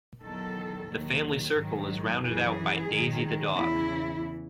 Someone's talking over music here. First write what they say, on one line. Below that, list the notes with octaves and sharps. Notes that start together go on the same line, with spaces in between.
The family circle is rounded out by Daisy the dog.
E2 D#3 F#3 A4
D#2 D#3 F#3
G#2 D#3 F#3
F#2 E3 G#4
G#2 D#3 F#3
E2 C#3 E3 E4